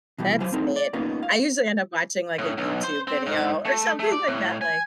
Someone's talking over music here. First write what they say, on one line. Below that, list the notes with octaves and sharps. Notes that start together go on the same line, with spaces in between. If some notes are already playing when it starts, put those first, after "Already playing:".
that's neat. I usually end up watching, like, a YouTube video or something like that, like
B2 E3 G3
F#3 C5 F5 G#5
A3 C4 D#4 A#4
D5
A#3 B3 C#4 D#4 F4 A#4
F5
A2
B1
C5
C4
G#2
A3
A3
D5
A2
G#5